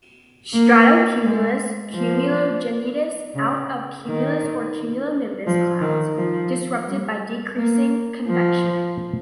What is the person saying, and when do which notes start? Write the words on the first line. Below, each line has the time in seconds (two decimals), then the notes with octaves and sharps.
Stratocumulus Cumulogenitus out of cumulus or cumulonimbus clouds, disrupted by decreasing convection.
0.53 A#3
1.24 G#3
1.95 F3
3.35 C#3
4.06 D#3
5.47 F3
5.81 D#3
6.17 F3
6.87 G3
7.57 A#3
8.28 F3